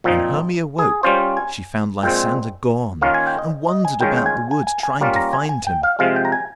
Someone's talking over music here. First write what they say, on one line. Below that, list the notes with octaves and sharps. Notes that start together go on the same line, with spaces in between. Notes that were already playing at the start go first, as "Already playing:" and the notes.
When Hermia woke she found Lysander gone, and wandered about the wood trying to find him.
A#2 F3 C4 D#4
G#4
G3 C#4 F4 C5
G#5
A#2 G#3 C4 G5
D#3 A#3 C#4 F4 F5
G#5
G5
D#5
D#5
G#5
D#3 G#3 C#4 F4 G5
G5
G#5
G#5
G#5
G#5
G3 A#3 C#4 F4
A#5
G#5
G#5
G5
F5
C3 F3 G#3 F5
G5
A#5
G#5